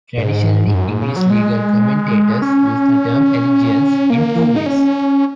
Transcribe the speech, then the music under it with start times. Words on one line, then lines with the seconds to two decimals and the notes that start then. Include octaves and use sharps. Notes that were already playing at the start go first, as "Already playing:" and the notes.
Traditionally, English legal commentators used the term "allegiance" in two ways.
0.18 G#2
0.67 G#2
0.74 F#2
0.88 G#2
1.02 C#3
1.16 F#3
1.30 G#3
2.42 C#4
4.10 A#3
4.56 D#4
4.66 C#4